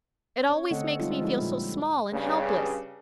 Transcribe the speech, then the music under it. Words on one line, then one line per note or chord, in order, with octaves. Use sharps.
"It always makes me feel so small and helpless."
C#4 C#5
D3 A3 C4 A4 D#5 F#5
G3 G#3 C4 D#4 F4 A4
F3 G#3 C4 D#4 E4
A#2
G2 C#3